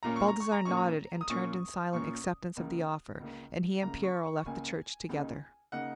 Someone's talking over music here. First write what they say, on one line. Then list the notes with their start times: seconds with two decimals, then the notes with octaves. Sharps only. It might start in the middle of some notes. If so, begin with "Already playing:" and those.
Baldassarre nodded, and turned in silent acceptance of the offer, and he and Piero left the church together.
0.03 A#2 A#3 C#4 A#5
0.16 C#6
0.28 A#5
0.40 C#6
0.52 A#5
0.65 A#2 A#3 C#4 C#6
0.77 A#5
1.21 D#6
1.29 A#2 A#3 C#4 C#6
1.93 A#2 A#3 C#4 C#6
2.56 C#2 C#3 A#3
3.19 C#2 C#3 A#3
3.82 C#2 C#3 A#3 A#5
4.03 C#6
4.24 C#6
4.45 C#2 C#3 A#3 G#5
5.09 C#2 C#3 A#3 D#4
5.72 C#3 A#3 D#4 F#5